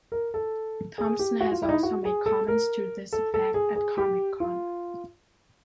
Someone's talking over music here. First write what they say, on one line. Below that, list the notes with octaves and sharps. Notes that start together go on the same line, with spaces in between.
Thompson has also made comments to this effect at Comic-Con.
A#4
A4
G#4
G4
F#4
F4
E4
D#4
E4
F#4
G#4
A4
A#4
A4
A4
G#4
G#4
G4
F4